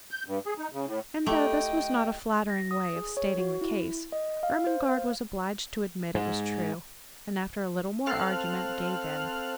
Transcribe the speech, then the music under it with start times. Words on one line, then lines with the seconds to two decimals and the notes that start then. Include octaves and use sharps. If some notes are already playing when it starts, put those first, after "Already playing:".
And though this was not a flattering way of stating the case, Ermengarde was obliged to admit it was true, and, after a little more argument, gave in.
0.11 G6
0.26 G2
0.46 G#4
0.58 D#4
0.73 C#3
0.86 A2
1.26 A3 E4 G4 D#5 G5
2.50 A#6
2.71 D#6
2.96 G#4
3.17 C#5
3.38 F#4
3.61 E4
4.12 D#5
4.43 F5
4.67 C5
4.89 F5
6.15 G#2
8.06 C4 A4 F5 F6 F#6